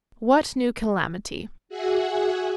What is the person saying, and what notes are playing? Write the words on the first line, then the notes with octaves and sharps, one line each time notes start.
"What new calamity?"
F#4 G#4 E5 F#5 G#5